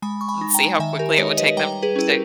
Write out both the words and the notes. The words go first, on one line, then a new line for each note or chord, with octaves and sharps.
and see how quickly it would take them to say
G#3 G#5 B5
C#6
G#5 B5
D#4
G5 A#5
D#3 E5 G#5
G4 A#4
D#5
G#3 D#4 A#4 C#5
B4 D#5
G3 G5 A#5
G#4 B4
C#4 E4 G#4
G4 A#4